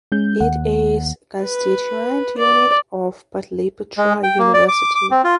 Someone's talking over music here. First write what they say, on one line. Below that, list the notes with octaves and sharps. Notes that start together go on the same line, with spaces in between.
It is constituent unit of Patliputra University.
G#3 C#4 G6
D#2 F#5
B4
D5
G#3
G5
A#3
D5
D6
D6
C4
F4